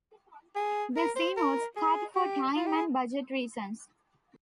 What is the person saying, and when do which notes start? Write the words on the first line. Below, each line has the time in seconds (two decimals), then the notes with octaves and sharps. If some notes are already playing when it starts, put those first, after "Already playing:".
The scene was cut for time and budget reasons.
0.56 G#4
0.96 A#4
1.16 C5
1.37 A#4
1.76 G#4
2.16 G4
2.56 F4
2.66 G4
2.76 G#4